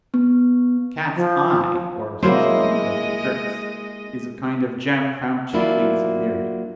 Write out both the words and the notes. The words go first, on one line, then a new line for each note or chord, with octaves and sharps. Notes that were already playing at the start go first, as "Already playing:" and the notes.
Cat's-eye or Sun-stone of the Turks is a kind of gem found chiefly in Siberia.
B3
F3
F#3 G#3 A#3 E4 C5 D#5
F#3 A#3 D4 E4 F4